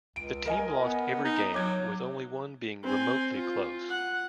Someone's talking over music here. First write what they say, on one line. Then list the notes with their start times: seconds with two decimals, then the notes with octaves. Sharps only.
The team lost every game with only one being remotely close.
0.16 C#2 D7
0.46 A#4 D#5 G#5
0.80 B3
1.25 D#4
1.54 F#3 D6 G#6
2.83 C4 G#5
3.34 F4
3.89 F#5